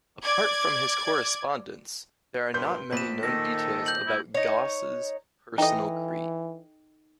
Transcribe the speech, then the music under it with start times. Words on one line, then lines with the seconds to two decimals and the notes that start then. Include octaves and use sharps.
Apart from his correspondence, there are not many known details about Gauss' personal creed.
0.23 D5 D6 G#6
2.54 G2 A#2 B4 C6 G6
2.93 A#1 B3 B4 B6 E7
3.23 D#3 A4 A#6
3.86 G6 F#7
4.07 E4
4.34 D#4 C#5
5.58 E3 D#4 A4 D#5 G5